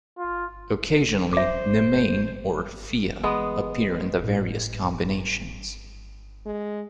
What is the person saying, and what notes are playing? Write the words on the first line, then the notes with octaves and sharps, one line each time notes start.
Occasionally Nemain or Fea appear in the various combinations.
F4
C5 E5 D6
E3 G#3 B3
A2 G3
G#3